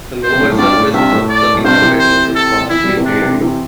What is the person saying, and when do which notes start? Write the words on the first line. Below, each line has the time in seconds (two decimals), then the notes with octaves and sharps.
The lower surfaces of the inner petals are sparsely hairy.
0.23 C5
0.32 C3
0.40 A2
0.52 A2
0.58 G2 D5
0.76 A2
0.94 G2 C3 E5
1.12 A2
1.29 D5
1.55 A2
1.64 G2 C3 C5
1.82 C3 E3
1.99 C5
2.35 A4
2.70 E3 E4
2.83 G3
2.97 C3 E3
3.05 D4
3.22 C3
3.31 D3
3.40 C3 E3